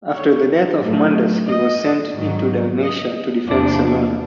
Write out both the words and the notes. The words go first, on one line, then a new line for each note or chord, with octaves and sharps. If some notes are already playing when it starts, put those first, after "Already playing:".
After the death of Mundus he was sent into Dalmatia to defend Salona.
C#5
A2 F#3 A3
D#5
G#2 D#3 F#3
D#5
E2 C3 F3 A#3 D4 D5